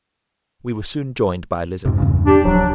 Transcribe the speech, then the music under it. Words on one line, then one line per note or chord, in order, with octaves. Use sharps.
We were soon joined by Elizabeth.
F2 G#2 C3
E2 G2 C#3
D4 G4
D1 F3 F#3 D4